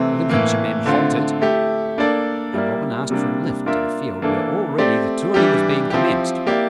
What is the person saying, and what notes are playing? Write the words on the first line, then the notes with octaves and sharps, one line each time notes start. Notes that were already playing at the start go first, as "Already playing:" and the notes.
The Lincolnshire men halted, and Robin asked for a lift to the field where already the tourney was being commenced.
Already playing: C3 E3 A3 C4
A2 E3 A#3
D3 A3 C4 F4
A3 E4 G4
A#3 D4 A4 D5
G3 A#3 E4 A#4 D5
C3 G3 A#3 D4
A#3 D4 F4 A#4 E5
E3 A#3 D4 A4
A3 C4 G4 D5
E3 G3 D4 G4
F3 C4 E4 G4
A#3 E4 G4 D5